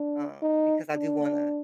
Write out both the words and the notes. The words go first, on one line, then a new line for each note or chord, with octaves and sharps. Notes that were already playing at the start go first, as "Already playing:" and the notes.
um, because I do wanna
Already playing: D4
D#4
D4